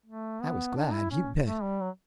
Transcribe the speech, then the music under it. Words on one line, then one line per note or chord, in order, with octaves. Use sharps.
I was glad, you bet.
A3
B3
D4
E4
C#4
A3
G3
F#3